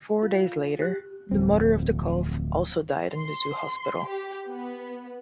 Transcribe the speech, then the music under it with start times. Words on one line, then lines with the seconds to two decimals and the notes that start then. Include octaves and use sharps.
Four days later, the mother of the calf also died in the zoo hospital.
0.23 F4
0.79 G4 F#6
1.31 D1 F2 C4
3.12 C6
4.08 G4
4.47 B3